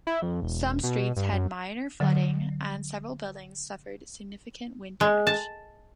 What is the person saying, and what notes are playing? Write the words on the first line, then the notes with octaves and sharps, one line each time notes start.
Some streets had minor flooding, and several buildings suffered significant wind damage.
E4
F2
E1
B2
G2
F#2
D3 F#3
G#3
A5